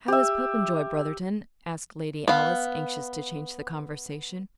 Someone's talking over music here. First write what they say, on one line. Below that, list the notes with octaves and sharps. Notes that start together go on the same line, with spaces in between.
"How is Popenjoy, Brotherton?" asked Lady Alice, anxious to change the conversation.
G4 E5
B3 F5